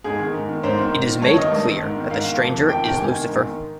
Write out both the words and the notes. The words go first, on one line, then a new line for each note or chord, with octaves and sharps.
It is made clear that the stranger is Lucifer.
G#2 G#4
D#3
G#2
D#3
G#2 C5
D#3
G#2
D#3
G2 C#5
D#3 D#5
G2
D#3
G#2
D#3
G#2 F5
D#3
F2
C3 D#3
F2 G5
C3 D#3 G5
G#2 G#5
D#3
G#2
D#3